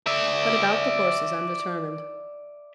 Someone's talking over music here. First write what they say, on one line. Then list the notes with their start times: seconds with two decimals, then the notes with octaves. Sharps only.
But about the horses I'm determined.
0.06 D5 E5